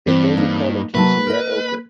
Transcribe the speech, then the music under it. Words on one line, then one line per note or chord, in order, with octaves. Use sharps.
It may be colored using red ochre.
G2 E3 C4
A#3 D#4
C3 F#3 A#3 B4 A5
A#4 D#5